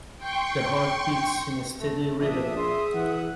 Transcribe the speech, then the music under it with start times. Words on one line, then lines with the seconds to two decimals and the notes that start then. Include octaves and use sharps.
The heart beats in a steady rhythm.
0.18 G5 C6 C#6
1.79 A3
2.21 A#1 D4 E5 D#6
2.57 G#4 C6
2.94 E3 F#5